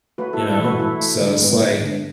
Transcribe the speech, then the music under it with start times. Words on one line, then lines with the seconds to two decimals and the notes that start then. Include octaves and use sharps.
you know? So it's like,
0.18 A3 F#4 B4
0.33 E4 A4
0.39 A3
0.49 E4 A4
0.59 E3
0.64 F#4 B4
0.79 A3 E4 A4
1.00 A3
1.21 D3
1.42 B3
1.63 B3
1.82 D3